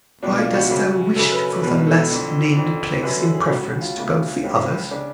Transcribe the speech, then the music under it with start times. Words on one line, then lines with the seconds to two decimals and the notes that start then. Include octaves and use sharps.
"Why dost thou wish for the last-named place in preference to both the others?"
0.23 C#2 B2 D4
0.38 F4
0.54 F#4
0.69 F#2 C#3 F#4
1.16 F#2 C#3 A4
1.32 B4
1.47 A4
1.62 C#2 B2 B4
1.87 A4
2.10 F2 D3
2.56 F2 D3
3.03 F#2 D3 B4
3.18 A4
3.35 G#4
3.50 C#2 C#3 F#4
3.66 F#4
3.81 F4
3.98 D2 C#3
4.44 C#2 C#3
4.91 C#3 D4